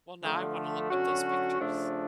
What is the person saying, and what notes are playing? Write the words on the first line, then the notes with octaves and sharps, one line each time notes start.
Well, now I wanna look up those pictures.
D3 F3 A3
D3 F#3 C#4 F#4
C#3 F3 A3 D4